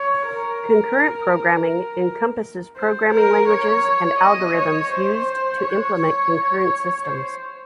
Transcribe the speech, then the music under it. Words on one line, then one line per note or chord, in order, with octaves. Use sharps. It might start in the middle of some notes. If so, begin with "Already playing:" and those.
Concurrent programming encompasses programming languages and algorithms used to implement concurrent systems.
Already playing: C#5
A#4
C5
A#4
C#5
D#5
C#5
C5
C#5
C5